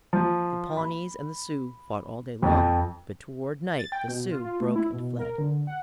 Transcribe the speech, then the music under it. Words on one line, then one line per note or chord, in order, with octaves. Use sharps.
The Pawnees and Sioux fought all day long, but toward night the Sioux broke and fled.
F3
B5
F2
A6
G5
B2
F4
F4
A3
E4
B2
A#4
D3
F#5